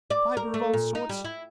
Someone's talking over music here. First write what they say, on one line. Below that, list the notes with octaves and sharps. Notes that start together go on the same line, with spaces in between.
Fibre of all sorts.
D5
A#4
A3
A#2
D#4
G3
E4